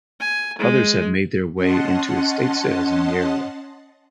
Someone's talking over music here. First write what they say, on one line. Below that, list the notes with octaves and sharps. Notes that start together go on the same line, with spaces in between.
Others have made their way into estate sales in the area.
G#5
G#3
C#4 D#5 F#5 A5 C6